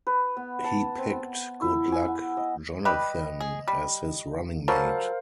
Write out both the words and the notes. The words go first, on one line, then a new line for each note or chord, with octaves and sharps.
He picked Goodluck Jonathan as his running mate.
B4
B3
A5
C4
B3
E4
G#5
F#5
D#5
G3 G4 B4 D#5
G#4
G3
F#3 G3 A4 A#4 C5 F5